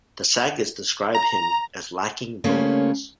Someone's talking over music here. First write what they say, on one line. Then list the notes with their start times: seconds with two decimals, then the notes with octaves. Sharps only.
The sagas describe him as lacking bones.
1.15 A#5
2.44 C#3 G3 A3 A#3 C4 C#4